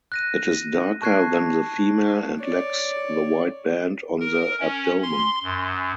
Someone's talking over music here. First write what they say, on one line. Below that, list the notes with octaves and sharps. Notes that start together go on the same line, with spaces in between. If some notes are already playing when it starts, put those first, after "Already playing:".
It is darker than the female and lacks the white band on the abdomen.
F#6 A#6 D#7
A5 C#6 F#6 G#6 C7
C#5 D5
A#4
C#4
C6
F#2